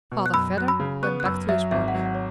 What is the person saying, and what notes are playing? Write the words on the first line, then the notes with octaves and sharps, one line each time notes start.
Father Vedder went back to his work.
B2
F#6
F#2 B5 E6
F#3 F#6
B5 E6
C#3
B3 C#6 F#6
F#6
F#2 B5 E6
F#3 E5
G#1 E5
F#5
F#3
F#5
C#5